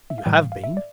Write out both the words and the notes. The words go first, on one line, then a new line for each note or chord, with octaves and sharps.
"You have been."
E5
F5
A2 E3 G3 G5
F5
F5
E5
D5